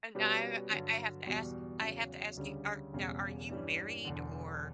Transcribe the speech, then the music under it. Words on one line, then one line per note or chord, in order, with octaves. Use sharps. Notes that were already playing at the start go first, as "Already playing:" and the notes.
And now I I have to ask I have to ask you. Are now, are you married? Or,
B2 G3 C#4 G4 B4
G2 D3 F#3
E2 B2 G3
E2 C#3 F#3
D2 C#3 G3
E1 E2 C#3 G3
G2 E3 G3 C#4
E1 E2 D3